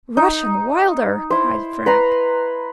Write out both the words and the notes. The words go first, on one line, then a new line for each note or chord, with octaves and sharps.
"Rush & Wilder!" cried Frank.
D#4
E4 C5
B4 A#5 C6